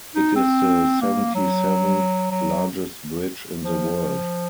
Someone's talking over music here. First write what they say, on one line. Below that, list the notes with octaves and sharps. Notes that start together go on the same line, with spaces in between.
It is the seventy-seventh largest bridge in the world.
D#4
C4
A#3
F#3
F#3
F3